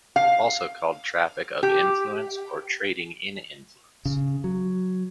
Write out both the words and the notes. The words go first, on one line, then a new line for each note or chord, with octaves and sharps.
Also called traffic of influence or trading in influence.
F5
G4
C#3
F#3